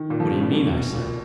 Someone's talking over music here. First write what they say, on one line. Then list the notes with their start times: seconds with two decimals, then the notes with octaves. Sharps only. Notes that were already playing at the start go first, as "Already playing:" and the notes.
"What do you mean?" I said.
Already playing: D#3
0.10 A#2
0.20 F3
0.31 C#3
0.41 A#2
0.52 B2
0.73 B2
0.94 A#2